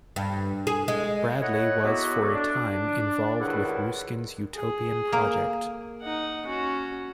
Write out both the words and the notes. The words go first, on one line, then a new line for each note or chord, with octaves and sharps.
Bradley was for a time involved with Ruskin's utopian project.
G2
G#4
G#3
A2 E4 C#5 D#5 F#5
F#3 G#3 B3 E4 F#4 G4
A3 F#4 D5
D4
C#2 G2 D#3 E4 F#5
G#4
A#3
D#4 F#5
C#4 F#4